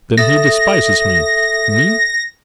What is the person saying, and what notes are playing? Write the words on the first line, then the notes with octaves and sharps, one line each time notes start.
"Then he despises me, me?"
A4 E5 D#6 A#6